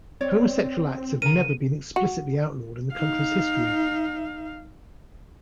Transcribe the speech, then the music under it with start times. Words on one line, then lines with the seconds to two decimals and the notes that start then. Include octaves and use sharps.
Homosexual acts have never been explicitly outlawed in the country's history.
0.21 C4 C#5 D5
1.22 C#3 A#4 A#5 D#7
1.96 F#4
2.93 D#4 F5